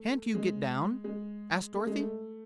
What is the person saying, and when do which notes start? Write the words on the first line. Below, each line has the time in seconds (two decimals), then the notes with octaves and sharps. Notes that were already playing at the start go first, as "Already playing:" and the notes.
"Can't you get down?" asked Dorothy.
Already playing: A3
0.35 G#3
1.04 G#3
1.74 A3
1.87 G#3
1.99 A3